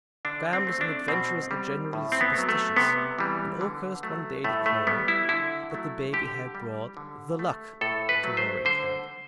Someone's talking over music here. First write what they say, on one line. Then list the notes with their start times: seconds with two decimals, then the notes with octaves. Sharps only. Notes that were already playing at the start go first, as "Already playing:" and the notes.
Gamblers and adventurers are generally superstitious, and Oakhurst one day declared that the baby had brought "the luck" to Roaring Camp.
0.25 D3 D4
0.53 C4
0.67 A3
0.81 D4
1.08 B2 C4
1.51 G3
1.93 A2
2.12 C4
2.21 B3
2.34 F#3 A3
2.49 A3
2.77 C3 B3
3.19 E3 G3
3.61 D3
4.03 F#3 A3
4.44 A2 A3
4.66 A3
4.87 G3 B3
5.08 E4
5.29 D3 E4
5.71 F#3 A3
6.13 D3 G4
6.55 G3
6.97 D3
7.39 A3
7.81 A2 A4
8.09 B4
8.23 F#3 A3
8.37 C5
8.65 D3 C5